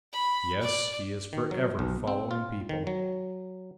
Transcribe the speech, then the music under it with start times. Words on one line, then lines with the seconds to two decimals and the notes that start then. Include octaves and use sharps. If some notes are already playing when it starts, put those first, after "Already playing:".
Yes, he is forever following people.
0.12 B5
0.61 D5
1.33 D#3
1.51 F#3
1.79 B1
2.07 C4
2.31 F4
2.69 D#3
2.87 F#3